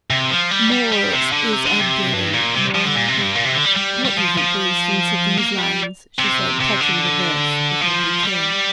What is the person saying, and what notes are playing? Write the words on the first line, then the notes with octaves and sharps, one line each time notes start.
'Moore's is a daring morality--what do you think, for instance, of these lines?' she said, touching the verse with her bouquet.
C3
F3
G3
G3
G3
C3
D3
C3
D3
C3
G2
A#2
C3
F3
D3
A#2
C3
G2
A#2
C3
D3
G3
G3
G3
F3
F3
A#3
G3
C3
C3
D3
F3
G3